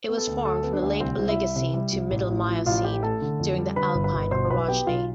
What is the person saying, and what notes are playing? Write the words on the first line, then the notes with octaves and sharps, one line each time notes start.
It was formed from the late Oligocene to middle Miocene, during the Alpine orogeny.
B3
A4
D2
D2 A4
B3
D4 D5
D2
C2 C4 C5
C2
E4 E5
C2
C3
G3
C2
A1
A2
F3
A1 F4 F5
A3 G4 G5
A3 A4 A5
D3
F2
G3
D3 B4 B5
G1
B4 B5
G1
B2 C5 C6
B1 B4 B5
B3 G4 G5
B1 F4 F5